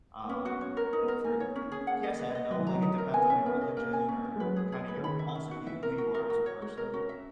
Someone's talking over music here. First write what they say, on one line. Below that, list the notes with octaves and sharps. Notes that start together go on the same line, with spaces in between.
um, and for y yes and no, like it depends on your religion or kinda your philosophy, who you are as a person.
A#3
B3 C#4
F#4
C#5
A#4
B3 D#4
B3
A#4
A#3 G#5
B3
C#5
A#3
C#4
G#4
A#3 F#5
D#5
B4
D#5
F#3 B4
E3
F#3 A#5
D#4
A#4
B3 G#5
C#4 E5
B3 A#4
C#4
D#5
A#3 A#4
G#5
C#4
E4
G#3
F#3 B4
G#4
G#4
B4
C#3
D#3 B5
E5
C#4
F#4
E3 E5
A#4
F#4
A#4
F#4
C#5
G#3 F#4
A#4
C#4 F#4
E5